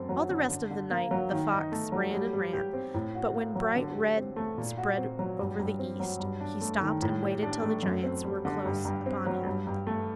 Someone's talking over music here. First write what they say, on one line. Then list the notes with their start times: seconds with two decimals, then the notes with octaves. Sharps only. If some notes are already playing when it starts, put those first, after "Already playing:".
All the rest of the night the fox ran and ran; but when bright red spread over the east, he stopped and waited till the giants were close upon him.
Already playing: F#2 A3 C4
0.09 F#3
0.30 D3
0.50 D3
0.71 D3
0.91 A#3
1.11 F#3
1.31 D#3
1.52 D#4
1.72 A3
1.92 F#3
2.13 G3
2.33 G3
2.53 G4
2.73 C4
2.94 A2
3.15 F#4
3.35 A#3
3.56 F#3
3.76 D3
3.96 G4
4.17 C4
4.36 A3
4.58 A#2
4.78 F#4
4.98 C4
5.19 F#3
5.39 G2
5.60 G2
5.79 C4
6.00 F#3
6.20 G2
6.41 D4
6.61 A3
6.81 D#3
7.02 A2
7.23 G4
7.43 D4
7.63 A3
7.83 F#2
8.03 C4
8.24 G3
8.45 D3
8.65 G2
8.85 G2
9.06 C4
9.26 F#3
9.47 G2
9.67 G2
9.87 A3